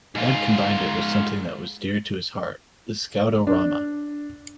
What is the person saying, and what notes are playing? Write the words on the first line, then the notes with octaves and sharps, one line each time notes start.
Dad combined it with something that was dear to his heart -- the Scout-O-Rama.
G#2 F4
D4